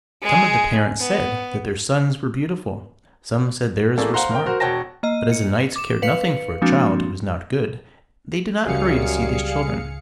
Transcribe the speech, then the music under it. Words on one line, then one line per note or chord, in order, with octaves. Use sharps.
Some of the parents said that their sons were beautiful; some said theirs were smart; but as the knights cared nothing for a child who was not good, they did not hurry to see these children.
G#3 G#4
B3
A3 A#3 E4 G#4 A4 D5
C5 F5 F#5 A#5 C6
A#4 G5
F#4 A#4 C5
E1 F#4 C#5 G5 A5 A#6
A#3 D#5
C#7
D6 E7
B4 F5 C#7
F3 G#3 A#3 C4 D4 F#4
C#2 F#2 C#3 G3 G#4 F5 C#7